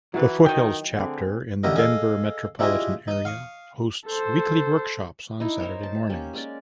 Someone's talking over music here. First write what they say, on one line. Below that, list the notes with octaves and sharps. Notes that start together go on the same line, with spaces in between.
The Foothills Chapter in the Denver metropolitan area hosts weekly workshops on Saturday mornings.
E3 F#3 E4 F#4 B4
D#3 D#5 G5
D3 C4 G#4
A1 D3 E4 G4 A#4 D#5
G#4 A4 D#5 F5
D4 E4 F4 G4 G#4 D#5
D#4 D#6
F5 C#6 D#6
A4 C5
D#4 E4
D#4 A#4 C5 C#5
A5
A#3 C#4 G4
G#3 C#4 D5